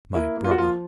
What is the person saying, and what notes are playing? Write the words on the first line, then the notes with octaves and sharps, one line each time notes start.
My brother!
A#3 E4
A#3
F4
F#4
F3 F4